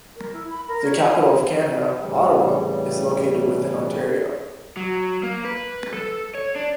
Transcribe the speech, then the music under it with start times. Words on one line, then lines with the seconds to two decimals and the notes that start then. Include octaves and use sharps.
The capital of Canada, Ottawa is located within Ontario.
0.16 A#4
0.33 E4
0.50 B5
0.68 A#4
0.85 C#5
2.00 A2 C#3 E3 G3
4.77 F#3
5.23 A#3
5.45 B4
5.93 A4
6.35 C#5
6.56 D4